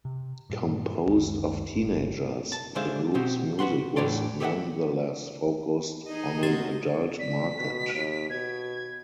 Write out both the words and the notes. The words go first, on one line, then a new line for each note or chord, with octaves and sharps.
Composed of teenagers, the group's music was nonetheless focused on an adult market.
C3
G2 A#2
C#2 F#2 D#3 G#3
G1
A5
D3 G#3 C5 E5 F5
B2 C4 F#4 G4
F#4 B4 F#5 C6
E2 A2 D4 C#5 D5 C6
G4 A4 C#5 D#5 E5 F#5
D#4 G#4 D#5
C3 C#4 F#4 G4 A6
D5 B6
B2
D#2
B2 G#6